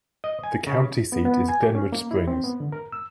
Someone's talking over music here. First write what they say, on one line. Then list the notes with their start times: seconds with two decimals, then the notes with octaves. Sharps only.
The county seat is Glenwood Springs.
0.24 D#5
0.43 G#5
0.67 C#3
1.12 B3
1.25 B3
1.49 G#5
1.63 G4
1.75 C#4
1.92 A#3
2.11 E4
2.28 C4
2.44 B3
2.60 D3
2.72 A#4
2.92 E6